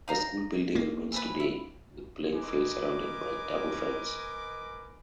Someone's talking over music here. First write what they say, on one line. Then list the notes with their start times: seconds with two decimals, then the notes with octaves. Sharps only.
The school building remains today, with playing fields surrounded by a double fence.
0.08 D#4 F5 A#5
0.75 A#3
1.12 E3 F3 B4
1.40 E4
2.35 A#4 B4 D#5 G#5 D6